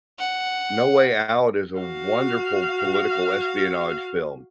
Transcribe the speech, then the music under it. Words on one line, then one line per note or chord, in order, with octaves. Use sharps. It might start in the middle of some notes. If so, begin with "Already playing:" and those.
No Way Out is a wonderful political espionage film,
F#5
F#4 F5